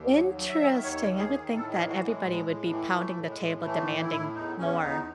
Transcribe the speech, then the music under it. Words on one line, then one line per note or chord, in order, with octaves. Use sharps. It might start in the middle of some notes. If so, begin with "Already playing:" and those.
Interesting. I would think that everybody would be pounding the table demanding more.
Already playing: D#2
F#3
F#3
E5
D#3
D#2 C#5
D#3
G#4
D#3
A2 A4
G#4
E3
F#4
A2
G#3
A2
A2
E3
A2 A3
A2
G#3
A2
E3 A3
A2
E4
A2
E2 D#4
E2 C#4
E2 D#4